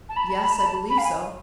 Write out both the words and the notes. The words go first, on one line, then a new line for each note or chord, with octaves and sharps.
"Yes; I believe so."
A5
B5
A5
B5
A5
B5
A5
B5
A5
B5
F5
G#5